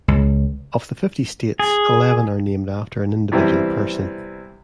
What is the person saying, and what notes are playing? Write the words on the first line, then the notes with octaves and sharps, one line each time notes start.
Of the fifty states, eleven are named after an individual person.
C#2
G#4
C3 E3 G3 B3 C4